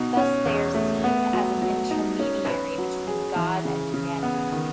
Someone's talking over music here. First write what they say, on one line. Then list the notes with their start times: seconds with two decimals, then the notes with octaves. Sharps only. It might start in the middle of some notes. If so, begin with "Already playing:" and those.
Thus they are seen as an intermediary between God and humanity.
Already playing: B2 D#4
0.17 C#4
0.45 E2
0.74 A3
1.04 B3
1.33 F#3
1.62 F#3
1.91 D#4
2.20 C#4
2.49 B4
2.78 F#3
3.07 G#4
3.36 E3
3.65 C#3
3.94 C#3
4.23 B3
4.52 D#3